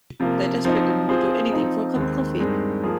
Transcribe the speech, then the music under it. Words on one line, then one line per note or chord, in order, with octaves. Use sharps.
They're desperate and will do anything for a cup of coffee.
C3 F3 A#3
F3 C4 D#4
F3 C4 F4 G#4 C5
F3 C4 D#4
D#2 D#3 G#3 C4
G2 D#3 G#3 C4
F3 A#3 G#4